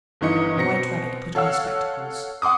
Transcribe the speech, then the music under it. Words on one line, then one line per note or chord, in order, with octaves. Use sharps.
The White Rabbit put on his spectacles.
G1 D#3 E3 D#5 C#7
B2 C4 A#6 C#7
A4 C#5 F5 F#5 E6
F#5 C6 D6 D#6